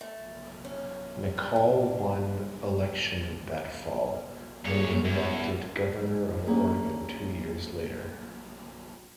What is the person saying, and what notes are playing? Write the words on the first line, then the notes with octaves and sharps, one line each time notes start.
McCall won election that fall, and was elected Governor of Oregon two years later.
A3
C#4
G3
D4
G2 A#2 G#3 C#5
E2
A3 A#3 C#4 D4 G4 G#4